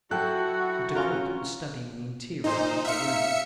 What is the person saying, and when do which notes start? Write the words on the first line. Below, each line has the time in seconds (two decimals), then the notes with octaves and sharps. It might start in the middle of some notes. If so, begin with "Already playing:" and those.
The dacoit was studying the interior of the room.
0.11 F#3 E4 F#4 A4 F#5 G5 F#6
0.95 C#4 F4 A#4
2.44 A#2 D#4 C5
2.85 D#4 E5 F5 C#7